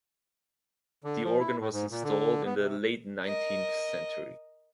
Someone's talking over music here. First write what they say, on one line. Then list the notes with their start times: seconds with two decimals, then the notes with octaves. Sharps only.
The organ was installed in the late nineteenth century.
1.04 D3
1.24 F3
1.39 E4
1.60 A2
1.72 G#2
1.91 A#2
2.03 D3
2.45 B3
2.58 C3
3.22 A#4 D#5